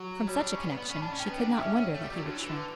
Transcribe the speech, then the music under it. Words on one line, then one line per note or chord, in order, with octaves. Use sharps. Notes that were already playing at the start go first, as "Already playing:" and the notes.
From such a connection she could not wonder that he would shrink.
Already playing: F#3
G3 C#5
D4
C#4
B3 D5
B3
C#4
B5
D4 A5
C#4
G5
B3
D4 F#5
D4
B3 E5
C#4
C#4 C#5
A3
G3
F#3
D3
E3
D3 B4